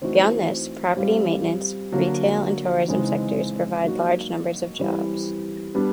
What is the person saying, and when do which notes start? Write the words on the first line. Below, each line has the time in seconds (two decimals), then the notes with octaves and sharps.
Beyond this, property maintenance, retail and tourism sectors provide large numbers of jobs.
0.01 E3 A3 C4 D#4 F#4
0.97 G3 C4 F4
1.92 D3 F#3 A#3
2.88 C#3 E3 G#3 C4 D#4
3.83 F#3 A#3 D#4 F#4
4.79 E3 G3 C4 E4
5.75 G3 B3 D4